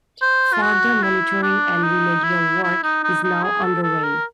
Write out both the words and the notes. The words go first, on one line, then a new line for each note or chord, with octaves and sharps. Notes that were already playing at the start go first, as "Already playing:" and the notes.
Further monitoring and remedial work is now under way.
C5
F4
F#4
E4
D4
D#4
E4
E4
D#4
D#4
D#4
G#4
A4
A4
A#4